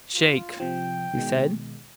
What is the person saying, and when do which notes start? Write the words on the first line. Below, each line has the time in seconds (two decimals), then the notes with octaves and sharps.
"Shake!" he said.
0.16 F4
0.60 C3 F3 G5
1.17 B2 D#3 G#3